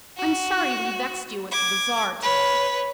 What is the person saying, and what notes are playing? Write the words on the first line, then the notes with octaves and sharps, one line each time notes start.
I'm sorry we vexed you at the bazaar to-day.'
F#4
D6 G#6
B4 C#5